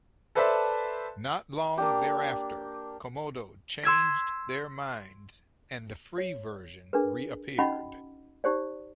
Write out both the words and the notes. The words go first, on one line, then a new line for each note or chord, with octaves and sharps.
Not long thereafter Comodo changed their minds and the free version reappeared.
A4 B4 C5 D5 E5 A5
A#3 D4 G4
C6 E6 G#6 B6
C#5
D4 G#4 A#4 B4
C#4 D#4 F#4 D#5 F#5 B5
D#4 G4 C5 D5